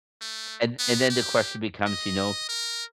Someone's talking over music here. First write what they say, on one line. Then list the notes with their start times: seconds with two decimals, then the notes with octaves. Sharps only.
and and then the question becomes, you know,
0.21 A3
0.79 B3
1.10 G4
1.86 D#5
2.49 A#4